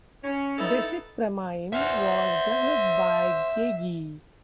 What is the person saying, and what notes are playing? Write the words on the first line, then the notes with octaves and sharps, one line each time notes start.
Desipramine was developed by Geigy.
C#4
B3 D#4 E4 A4
C5 E5 F#5